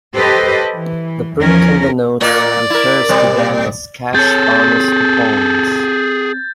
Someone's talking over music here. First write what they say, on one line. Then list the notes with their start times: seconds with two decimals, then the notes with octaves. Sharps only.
The print on the 'notes' refers to them as "cash bonus coupons".
0.15 G4 A4 B4 C5 D#5
0.74 E3
1.40 E2 F3 C#4 A#4
2.21 A2 A#3 D5
2.70 E4 A#4
3.09 B2 G3
4.15 C4 G#4 A4 C#5 G6 A6